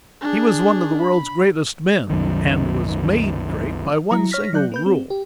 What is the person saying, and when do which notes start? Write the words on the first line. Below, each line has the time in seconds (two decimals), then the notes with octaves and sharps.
He was one of the world's greatest men, and was made great by one single rule.
0.22 D4 G#4
1.00 B5
2.10 C2 F#2 D#3
4.11 F#3 E4 A#5
4.31 C#5 F6 A#6 B6
4.53 F#3 D5 F#6 G6
4.72 A#3 B4 G6
4.86 C4
5.10 G4